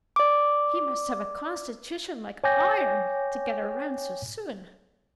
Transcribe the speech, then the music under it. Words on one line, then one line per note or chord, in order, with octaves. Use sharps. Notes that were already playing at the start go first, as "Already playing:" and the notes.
"He must have a constitution like iron to get around so soon."
D5 D6
C#5 G5 G#5 D6 G6 A#6